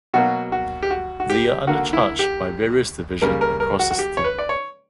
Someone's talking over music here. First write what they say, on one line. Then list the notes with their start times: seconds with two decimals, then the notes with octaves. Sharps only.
They are under charge by various division across the city.
0.14 B2 F#3 A#3 F#4
0.52 F#4
0.83 G4
0.91 F#4
1.20 F#4
1.30 G4
1.67 D3 A#3 F#4
1.93 E4
2.19 G4
3.21 C#3 G3 A#3 A#4
3.41 A#4
3.60 A#4
3.79 F#4
3.91 F#4
3.99 G4
4.17 C#5
4.24 B4
4.38 D5
4.49 C#5